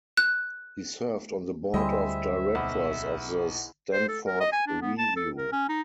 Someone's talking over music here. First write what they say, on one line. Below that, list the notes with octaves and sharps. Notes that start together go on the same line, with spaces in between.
He served on the board of directors of The Stanford Review.
F#6
D2 G3 G#3 C4 E4 D#5 E5
B1 B3
C5
A4
A#4
D#5
G#5
D4
B3
A5
A4
A#4
C#4
D#4